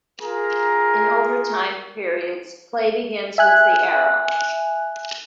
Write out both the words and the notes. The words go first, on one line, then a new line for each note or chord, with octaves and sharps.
In overtime periods, play begins with the arrow.
F4 G#4 A#4 A#5
E5 G#5 F#6